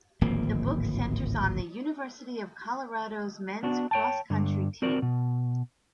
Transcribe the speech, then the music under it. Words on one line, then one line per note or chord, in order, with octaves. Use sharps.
The book centers on the University of Colorado's men's cross country team.
D1 G#1 F3 A#3
B3 D4 F#4
C#5 G5 A5
G2 D3
C4 F#4 A#4 D5
B2